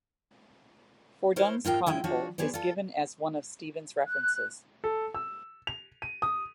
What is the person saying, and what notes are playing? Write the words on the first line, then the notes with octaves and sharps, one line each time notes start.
Fordun's "Chronicle" is given as one of Stephens' references.
E4 A#4 C5 C#5
G#2 F4 A#4 G5
F3 G#3 E4 G5
F3 D4 F#4 C#5
B3 G#4 C5 D5
F4 A4
F#6
A4
E6
F7
D#7
D#6